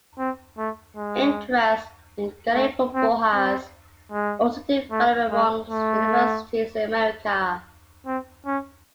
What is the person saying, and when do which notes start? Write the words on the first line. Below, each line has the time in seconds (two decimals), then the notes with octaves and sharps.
Interest in Gaelic Football has also developed amongst universities in America.
0.18 C4
0.58 A3
0.97 G#3
2.54 A3
2.95 C4
3.34 C4
4.12 G#3
4.91 A3
5.31 G#3
5.70 A3
8.06 C4
8.46 C#4